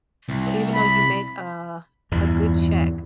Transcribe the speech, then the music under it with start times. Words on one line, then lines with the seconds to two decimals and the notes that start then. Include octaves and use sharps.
So, even though you make a a good check,
0.29 C2
0.74 B5
2.12 E2 G2 E3